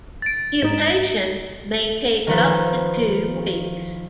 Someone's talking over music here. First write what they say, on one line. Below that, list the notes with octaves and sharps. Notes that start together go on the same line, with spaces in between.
Pupation may take up to two weeks.
A6 D7
G#2 D#4 A6 E7
D#3 F3 B4